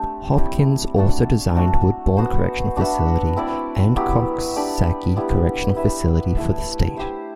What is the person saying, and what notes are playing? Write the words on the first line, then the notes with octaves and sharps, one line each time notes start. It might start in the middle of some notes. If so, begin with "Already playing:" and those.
Hopkins also designed Woodbourne Correctional Facility and Coxsackie Correctional Facility for the state.
Already playing: A3 C4 D4 G4
G3 C4 E4
F#3 A3 D4 A4
A3 D4 F#4
B3 F#4 C5
D4 F#4 B4 E5
C4 E4 B4 D5
F#3 B3 E4 G4
D4 G4 B4 D5
G3 B3 E4 G4
E4 B4 E5
A3 E4 B4 E5
E4 G4 C5 E5